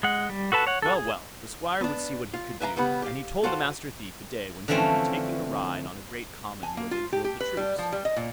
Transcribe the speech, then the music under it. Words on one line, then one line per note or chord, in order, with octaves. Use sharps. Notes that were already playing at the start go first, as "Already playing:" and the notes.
Well, well, the Squire would see what he could do; and he told the Master Thief a day when he would be taking a ride on a great common where they drilled the troops.
G#3 F#5
G3
F#4 A4 B4 A5
C#5 F#5
F#4 A4
G#4
B3 D4
F4
B4 E5 F5 G#5 A#5
C#3 G3 B3 F#5 B5
G4 F5
F4 F#4 A4 C5 F5 G5
D3 E3 F3 A3 C4 C#4
G#5
A#3
F4
G4
G4
B4
G3
F3
G3
D#5
A#2